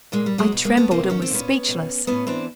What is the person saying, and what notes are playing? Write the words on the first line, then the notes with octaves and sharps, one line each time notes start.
I trembled, and was speechless.
A#2 G#3 A#3
G3
F#3 G#3
B2
G#3 A#3
A3 B3
C3 A#3 C4
D#3 C#4
C4
A#2 B3 C#4
B2
A2 B3 C#4
E3 C4 D4